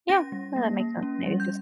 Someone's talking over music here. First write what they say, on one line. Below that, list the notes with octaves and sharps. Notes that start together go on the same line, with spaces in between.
Yeah. No, that makes sense maybe just
C#4 A#6
G3
A#3
A#3
C#4
G3
G6